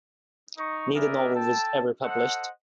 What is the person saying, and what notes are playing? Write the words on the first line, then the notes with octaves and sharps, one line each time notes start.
Neither novel was ever published.
D#4 C#6
G#4 A#4 B4 D5 E5
A4 G5 A5
A4 C5 D#5 F#5